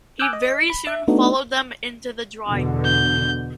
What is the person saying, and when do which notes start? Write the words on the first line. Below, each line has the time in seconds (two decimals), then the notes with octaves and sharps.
He very soon followed them into the drawing-room.
0.20 G#5 D6 E6 F#6 G6
0.33 D#5
0.70 B5
0.87 E5
1.08 A3 B3 D4 D#4 F#4
2.46 E2 B2 D3
2.84 G6